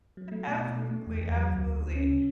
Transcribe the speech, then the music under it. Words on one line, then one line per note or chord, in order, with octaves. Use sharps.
Absolutely. Absolutely.
F#3
A3
B2
B2
A3
A3
E2
E2
F#3
D2
D2
D2
C#4
C#3